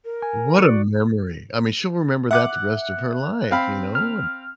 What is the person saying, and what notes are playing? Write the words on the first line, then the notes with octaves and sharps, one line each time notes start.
What a memory. I mean, she'll remember that the rest of her life, you know, and
A#4
G#5
F#4 D5
E5 F#5 D6 F#6
C4 F5 B5
F6